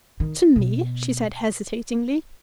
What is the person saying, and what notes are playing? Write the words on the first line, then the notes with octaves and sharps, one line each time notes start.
"To me?" she said, hesitatingly.
D#3
B2